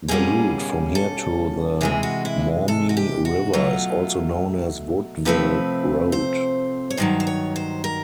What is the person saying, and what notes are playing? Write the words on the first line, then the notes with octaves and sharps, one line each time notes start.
The route from here to the Maumee River is also known as Woodville Road.
B2 G3 A#3 C#4 G#4
A4
C3 E3 G#3 G#4
F#4
E4
A4
F#4
G4
F#4
B2 F#3 A3 F4
C3 F3 A3 C4 B4
C5
C#5
G2 D#3 F#3 C5
C5
C#5
C5
A#4